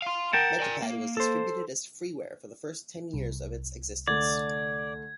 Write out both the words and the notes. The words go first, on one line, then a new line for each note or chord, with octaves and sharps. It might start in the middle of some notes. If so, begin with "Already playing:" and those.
Metapad was distributed as freeware for the first ten years of its existence.
F5 C6
A#4 F#5 G5 A5
D5 G#5
A#3
A4 C5
C2
D3 A3 D5 G#6